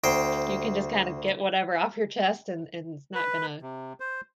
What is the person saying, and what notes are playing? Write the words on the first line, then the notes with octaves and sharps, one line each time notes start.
you can just kind of get whatever off your chest and and it's not gonna
D2 C5 G5
B4
C3
C5